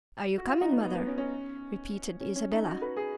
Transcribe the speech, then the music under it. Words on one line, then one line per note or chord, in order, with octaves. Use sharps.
"Are you comin', mother?" repeated Isabella.
F#4
F4
D#4
B3
B3
B3
C#4
C#4
C#4
C#4
D#4
F#4
B4
G#4